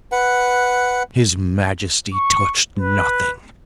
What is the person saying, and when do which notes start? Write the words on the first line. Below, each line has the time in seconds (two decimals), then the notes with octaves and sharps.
His Majesty touched nothing.
0.12 B4 F#5
2.14 C#6
2.79 B4